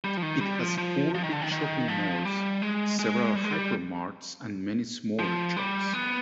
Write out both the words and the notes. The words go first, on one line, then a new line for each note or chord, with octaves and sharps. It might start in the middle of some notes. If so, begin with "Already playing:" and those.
It has four big shopping malls, several hyper-marts and many smaller shops.
G3
F3
D#3
G3
F3
F3
F3
D#3
D3
D#3
D#3
F3
G3
G#3
G#3
G3
G#3
G3
F3
G3
B3